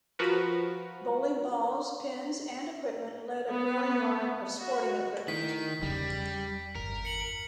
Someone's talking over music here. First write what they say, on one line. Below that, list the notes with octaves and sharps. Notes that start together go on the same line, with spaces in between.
Bowling balls, pins, and equipment led a growing line of sporting equipment.
F3 F#4 A#4 B4
B3
F#4
D#3 A3 E4 B6
E2 C#3 G3
G1 A#4
C#7 F#7